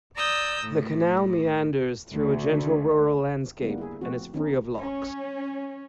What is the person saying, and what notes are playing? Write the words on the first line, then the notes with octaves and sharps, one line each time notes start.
The canal meanders through a gentle rural landscape and is free of locks.
D5 A#5 D#6 E6 G6
A2
D2
D3 G3 A#3 B3
E4 G#4
F3 A3 C4 F#4
D3 D#3 B3 C#4 D#4
C#4